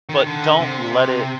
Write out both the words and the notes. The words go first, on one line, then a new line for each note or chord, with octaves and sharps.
But don't let it
D#3
D3
C3